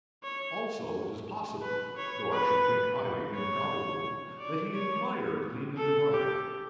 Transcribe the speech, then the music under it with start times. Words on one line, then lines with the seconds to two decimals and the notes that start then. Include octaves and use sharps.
Also it is possible, though I should think highly improbable, that he admired Lena Dubarri.
0.23 C#5
1.62 B4
1.97 C#5
2.32 B4
3.35 C#5
4.39 D5
4.74 C#5
5.77 A4
6.12 G4